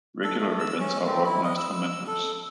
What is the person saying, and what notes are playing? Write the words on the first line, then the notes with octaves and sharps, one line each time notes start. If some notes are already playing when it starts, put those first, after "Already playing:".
Regular events are organised for members.
A4
A3
E6
C#4
C4
E4
D#5
E6
A4